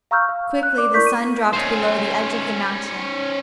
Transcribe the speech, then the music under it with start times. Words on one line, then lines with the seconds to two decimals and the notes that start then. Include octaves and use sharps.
Quickly the sun dropped below the edge of the mountain.
0.11 F5 A#5 C#6 E6 F6 G6
0.29 F5
0.63 F#6
0.78 D5 D6
0.94 E4 A#4 D5 C#6 G6 B6
1.07 D#7
1.53 C#4 C5